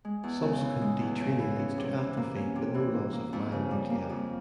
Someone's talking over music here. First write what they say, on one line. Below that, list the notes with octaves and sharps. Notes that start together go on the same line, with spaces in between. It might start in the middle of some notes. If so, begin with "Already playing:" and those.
Subsequent detraining leads to atrophy but no loss of myo-nuclei.
G#3
E2
C#3
E3
G#3
E2
C#3
E3
C#4
C3
E3
A#3
C#4
C3
E3
A#3
A#3
F2
C#3
G3
A#3
F2